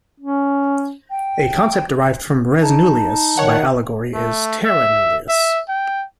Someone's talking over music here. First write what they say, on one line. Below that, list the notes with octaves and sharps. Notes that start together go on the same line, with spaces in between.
A concept derived from "res nullius" by allegory is "terra nullius".
C#4
G5
D#4 A5
D#3 C#5 F#5
A3
E5
E5
G5